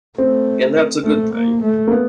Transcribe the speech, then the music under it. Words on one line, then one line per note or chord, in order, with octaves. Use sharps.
And that's a good thing.
A3 C4
A3
A#3
A3
A#3
B3